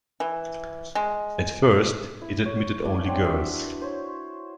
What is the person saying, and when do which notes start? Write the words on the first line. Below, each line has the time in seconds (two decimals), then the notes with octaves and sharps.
At first, it admitted only girls.
0.20 E3
0.95 G#3
2.21 E4
2.46 C#5
2.85 D4 E4 G#5
3.05 C4 D4 C#5 F#5
3.24 F#4 B4 C5 E5
3.81 C5 C#5